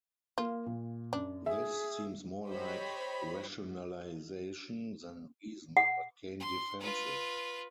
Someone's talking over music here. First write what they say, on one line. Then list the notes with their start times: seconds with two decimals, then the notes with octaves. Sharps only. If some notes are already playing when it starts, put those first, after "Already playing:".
This seems more like rationalization than reason, but Kane defends it.
0.38 A#3 F4
0.66 A#2
1.13 F#2 D4
1.46 G#4 E5
2.46 G4 C5 C#5 D#5 B5
5.77 F#5
6.40 C6
6.80 F4 B4